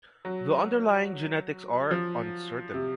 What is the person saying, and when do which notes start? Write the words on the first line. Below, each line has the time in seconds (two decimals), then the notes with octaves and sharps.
The underlying genetics are uncertain.
0.25 F#3
1.91 F3
2.74 C3